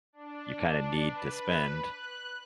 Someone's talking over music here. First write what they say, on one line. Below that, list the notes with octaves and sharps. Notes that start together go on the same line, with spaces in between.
you kinda need to spend.
D4
D4
B4
F#6